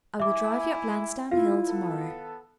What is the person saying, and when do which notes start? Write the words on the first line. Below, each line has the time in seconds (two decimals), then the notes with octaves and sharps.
"I will drive you up Lansdown Hill tomorrow."
0.20 E4 E5 G#5 D6
1.31 E4 F4 F5
1.68 B3 A4